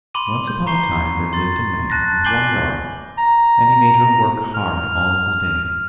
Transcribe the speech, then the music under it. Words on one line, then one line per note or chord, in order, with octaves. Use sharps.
Once upon a time there lived a man with one daughter and he made her work hard all the day.
B5 C6 D6 D#7
G6
A#5 C#6 C7 G7
C6 A6
A5 F#6 A6 A#6
G#5 D6 G6 C7 F#7 G7
A#5
F6